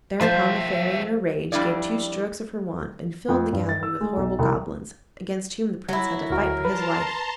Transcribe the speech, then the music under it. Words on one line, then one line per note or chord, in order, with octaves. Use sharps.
Thereupon the Fairy, in a rage, gave two strokes of her wand and filled the gallery with horrible goblins, against whom the Prince had to fight for his life.
D#2 F3 C5 E5 A5
F2 G3 D4 E4 D5
F2
G2
A6
E6
G#3
B1
C2
F#3 E4
D2 F#4 A#4
B4 A5 A#5 C6